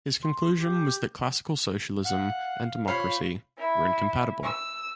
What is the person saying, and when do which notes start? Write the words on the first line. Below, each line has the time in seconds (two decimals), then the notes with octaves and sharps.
His conclusion was that classical socialism and democracy were incompatible.
0.23 C6
0.60 G4
2.05 F5 F#5
2.88 F4 C5 C#5 B5
3.57 E4
4.42 E6